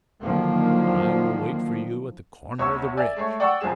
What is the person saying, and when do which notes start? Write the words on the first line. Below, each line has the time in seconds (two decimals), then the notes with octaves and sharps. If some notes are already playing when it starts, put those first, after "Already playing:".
I will wait for you at the corner of the bridge.
0.21 D3 D#3 F3 F#3 A#3
2.59 G1 D2 C#5 C#6 E6
2.97 D5 E5 G#5
3.16 G#3 A3 C#5
3.40 D5 F#5 G5 C#6 E6
3.61 F1 F#2 F3 G#3 G#4 E7